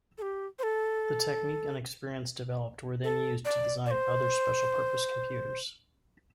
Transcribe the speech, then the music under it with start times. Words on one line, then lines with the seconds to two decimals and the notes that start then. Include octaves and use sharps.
The technique and experience developed were then used to design other special-purpose computers.
0.18 A4
0.22 G4
0.59 C5
0.63 A4
3.04 A4
3.45 D5
3.86 D5
3.91 C5